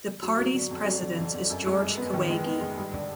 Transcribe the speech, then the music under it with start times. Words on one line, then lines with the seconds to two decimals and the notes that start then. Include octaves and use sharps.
The party's president is Jorge Kahwagi.
0.23 F#3
0.39 F#3
0.55 D3
0.71 F2
0.86 F#3
1.02 D3
1.19 F2
1.34 F2
1.50 F#2
1.66 G#3
1.82 G#3
1.97 B3
2.14 D#3
2.30 G#3
2.46 B3
2.61 G#3
2.77 G2
2.93 D3